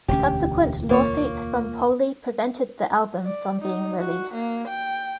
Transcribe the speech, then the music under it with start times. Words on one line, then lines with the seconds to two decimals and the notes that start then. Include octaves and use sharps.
Subsequent lawsuits from Poley prevented the album from being released.
0.08 E1 D2 C#4 G4
0.89 A#3 F4 C#5
3.25 D5
3.62 D#4
3.99 F#4
4.34 A#3
4.68 G5